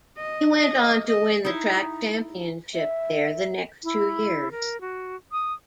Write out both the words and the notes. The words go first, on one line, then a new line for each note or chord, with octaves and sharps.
He went on to win the track championship there the next two years.
D#5
D#5
D#5
D#4 E4
E5
E4
A#4
F#4
D#6